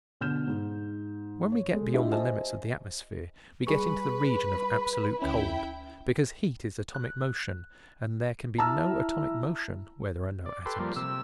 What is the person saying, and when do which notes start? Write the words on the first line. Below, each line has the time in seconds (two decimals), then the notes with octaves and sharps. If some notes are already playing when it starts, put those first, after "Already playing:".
When we get beyond the limits of the atmosphere we get into the region of absolute cold, because heat is atomic motion, and there can be no atomic motion where there are no atoms.
0.21 B2 D3 F6 G6 E7
0.47 G#2
1.52 C#5
1.74 G#3 A4
1.94 D4 E4 F4 G4 D#5 E5
2.11 C5 D#5 E5 G#5 A5
3.67 G3 G#4 B4 B5 C#6
5.22 D2 C#4 E4 G5
6.94 F#6
8.58 E4 A5 A#5 E6 F6
10.46 D5
10.66 G4 A4 B4 C6
10.79 F3 G3 A#3
10.96 C3 E6